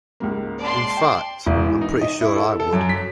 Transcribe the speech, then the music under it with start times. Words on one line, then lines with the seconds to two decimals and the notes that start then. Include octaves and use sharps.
In fact, I'm pretty sure I would.
0.20 C#2 G#2 A#3
0.59 D5 A5 C6
0.97 G5
1.46 E1
1.62 E3
1.81 D#4
2.01 D#5
2.21 E4
2.36 A4
2.60 A4
2.73 F#2
2.89 B6